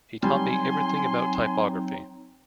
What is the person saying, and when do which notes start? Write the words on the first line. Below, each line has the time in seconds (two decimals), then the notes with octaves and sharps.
He taught me everything about typography.
0.23 F#3 G3 C4 D#4 G#5 C6